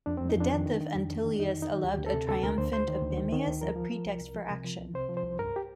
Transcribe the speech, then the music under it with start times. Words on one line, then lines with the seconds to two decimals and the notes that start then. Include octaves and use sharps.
The death of Antyllius allowed a triumphant Opimius a pretext for action.
0.06 F2 D4
0.17 F2 C4
0.29 D#4
0.36 F2 D4
0.51 D#3
0.66 D#3
0.81 D#3
0.95 F2
1.11 D#3
1.25 D#3
1.36 D4
1.39 F2 D#4
1.54 D#3
1.62 D#4
1.69 D#3
1.84 D2 G4
1.99 D2
2.06 A4
2.14 C3
2.28 D2 A4
2.43 D2 A#4
2.58 D2 C5
2.72 D2 C5
2.88 D#3
3.02 D2
3.17 D#3
3.33 D#3
3.47 D2
3.61 F3 A#4
3.76 F3
3.91 F3
4.05 C2
4.21 C2
4.35 F3
4.51 C3
4.64 F3
4.79 C2
4.94 C3 C5
5.09 F3
5.17 C5
5.24 C2
5.39 G2 A#4
5.56 G4